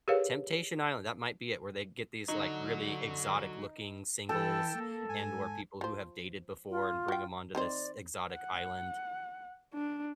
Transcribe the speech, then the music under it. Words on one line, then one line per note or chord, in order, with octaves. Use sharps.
Temptation Island, that might be it, where they get these, like, really exotic looking singles and, or people who have dated before and bring 'em onto this exotic island.
G4 G#4 A#4 B4 C#5 F5
D3 F#3 D#4
E3 A4 G5 A5
A#3
G#2 G#5
F3 C5
F4
F#4 G5
D#3 C4 C5 D5
F#5
D4